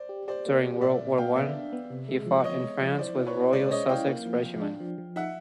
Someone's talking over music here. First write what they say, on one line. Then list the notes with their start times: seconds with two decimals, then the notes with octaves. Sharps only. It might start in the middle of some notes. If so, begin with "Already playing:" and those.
During World War One he fought in France with the Royal Sussex Regiment.
Already playing: C5 D5
0.09 G4
0.28 G4 C5 D5
0.46 A#3
0.64 G4
0.81 A#2 D5 E5
1.00 A#2
1.18 A#2 F5 G5
1.36 B3 D5 E5
1.54 D4
1.73 B3
1.90 C3
2.08 G#3
2.26 F3
2.44 B3 C#5 D#5
2.63 G#3
2.81 F3
2.99 E4 C5 D5
3.17 E4
3.26 B4 C#5
3.36 B2
3.53 G#3 C5 D5
3.71 C#4 C#5 D#5
3.89 E4 F5 G5
4.08 A#3
4.26 F3
4.44 F3
4.62 D4
4.80 F3
4.98 F3
5.16 D#4 E5 F#5